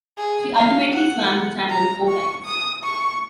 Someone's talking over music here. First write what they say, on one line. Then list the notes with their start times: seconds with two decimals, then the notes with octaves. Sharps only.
She ultimately swam the Channel four times.
0.18 G#4
0.55 F5
0.94 F#5
1.69 A#5
2.08 C#6
2.45 D#6
2.84 C#6